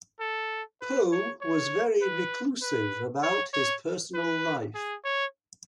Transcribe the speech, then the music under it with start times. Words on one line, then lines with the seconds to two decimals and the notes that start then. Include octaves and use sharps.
Poe was very reclusive about his personal life.
0.20 A4
0.81 B4
1.12 C#5
1.41 C#5
2.02 B4
2.62 B4
3.23 C#5
3.53 C#5
4.14 B4
4.74 G#4
5.04 C#5